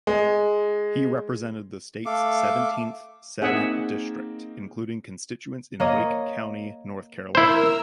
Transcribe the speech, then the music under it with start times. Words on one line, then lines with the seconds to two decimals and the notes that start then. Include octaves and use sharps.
He represented the state's seventeenth Senate district, including constituents in Wake County, North Carolina.
0.07 G#3
2.06 A3 A4 F5 D6
3.42 A#3 C4 D#4 G#4 E5 F#5
5.80 A#3 C#5 D#5
7.35 E4 A#4 C5 E6